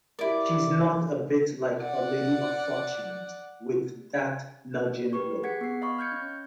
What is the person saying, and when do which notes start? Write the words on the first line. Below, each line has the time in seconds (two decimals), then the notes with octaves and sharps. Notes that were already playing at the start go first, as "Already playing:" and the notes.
She's not a bit like a lady of fortunes, with that nudging look.
0.19 E4 G4 A#4 D5
1.78 D5 F#5
5.13 G4 B4 C#6
5.43 G#4 F#5 G#6 B6 C#7
5.61 B3 C7
5.82 D#5 F5 B5 C#6
5.99 F6 G6 G#6 C#7
6.12 C#4